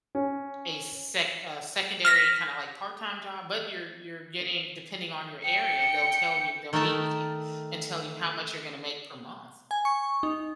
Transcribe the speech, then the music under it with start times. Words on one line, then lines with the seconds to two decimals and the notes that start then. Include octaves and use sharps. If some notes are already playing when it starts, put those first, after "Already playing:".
a sec a secondary kinda, like, part-time job, but you're you're getting depending on your area, they'll tell you they'll meet with you and tell you how much you're gonna make per month.
0.15 C#4
2.05 F6 A#6 B6
5.44 G5 C#7
6.73 D#3 A3 D#4 A#4 E5 A5
9.71 G#5
9.85 C#6
10.23 D#4